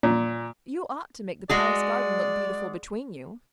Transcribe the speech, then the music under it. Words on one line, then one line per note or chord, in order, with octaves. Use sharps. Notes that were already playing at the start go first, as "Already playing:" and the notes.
"You ought to make the Palace garden look beautiful between you."
A#2
G#3 F#4 G#4 D5